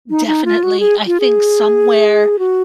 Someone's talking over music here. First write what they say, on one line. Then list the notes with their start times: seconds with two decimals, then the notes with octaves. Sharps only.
Definitely, I think somewhere
0.10 D#4
0.27 D#4
0.45 F4
0.63 F#4
0.80 G#4
1.07 F4
1.20 G#4
2.39 F#4